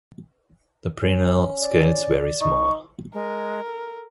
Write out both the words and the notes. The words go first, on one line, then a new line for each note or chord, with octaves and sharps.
The preanal scales very small.
C#4
D5
D#4 C#6
G#3 A#4
A4